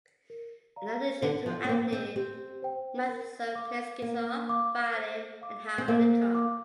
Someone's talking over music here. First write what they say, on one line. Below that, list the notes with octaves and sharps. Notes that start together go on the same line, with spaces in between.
In addition to acting, Matheson plays guitar, violin and harmonica.
A#4
D5 F5 A#5
D3 G4
F3
C4
A#3 C5 G5
C4
C4 G4
C5 G5
A#4
F5 D6
A#3 A#4
F5 D6
C5
F5 D6
C4
A#3 C5
F5 D6